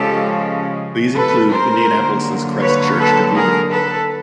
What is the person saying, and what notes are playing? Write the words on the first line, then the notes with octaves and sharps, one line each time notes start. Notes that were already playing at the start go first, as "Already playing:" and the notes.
These include Indianapolis's Christ Church Cathedral.
Already playing: C#3 F3 G#3 C#4 G4 A4
A4 B4
A#4 C5
D3 F#3 A#3
B4 C#5
A4 B4
G#4 A#4
A4 B4